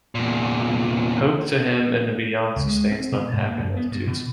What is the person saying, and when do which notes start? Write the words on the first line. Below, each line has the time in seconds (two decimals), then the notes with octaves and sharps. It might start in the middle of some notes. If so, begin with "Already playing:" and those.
Hope, to him, in the Beyond sustains the unhappy multitudes.
0.15 E2 A#2
2.56 C#2
2.68 G#3
2.92 C4
3.12 B2
3.33 G#2
3.47 A#3
3.59 F#2
3.76 B3
3.92 G2
4.07 B2